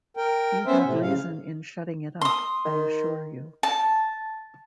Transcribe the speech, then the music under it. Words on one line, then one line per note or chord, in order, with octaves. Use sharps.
You have reason in shutting it up, I assure you.
A#4 G5
B3 C#4 C5 E5
A2 C3
C#3 F5
C6 D#6
D#3
A5